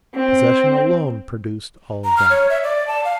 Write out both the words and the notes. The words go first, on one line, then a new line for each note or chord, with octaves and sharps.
Possession alone produced all that.
C4
A#5
F6
C#5
E5
D5
A5
F5